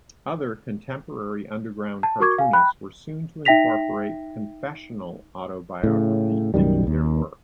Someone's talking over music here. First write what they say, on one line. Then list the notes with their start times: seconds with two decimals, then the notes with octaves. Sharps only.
Other contemporary underground cartoonists were soon to incorporate confessional autobiography into their work.
2.03 A5
2.20 F#4 A#4 C#6 D6 G#6
2.38 F5 G#5
2.53 G5 B5 F#6
3.45 D#4 E5 G5 A#6 B6 F7
5.83 A2 C#3
6.54 B1 F#2 D#3 G3
6.87 D#2